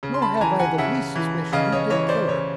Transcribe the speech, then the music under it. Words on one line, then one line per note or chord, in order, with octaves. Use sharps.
Nor have I the least suspicion who did kill her.
C#3
C6
A5 B5
A5
E3 G#5 A#5
F#5 G#5
C#3 E5 F#5
E3
C#3 D#5 F5
C#5 D#5
E3 C#5 D#5
C5 D5
C#3 C#5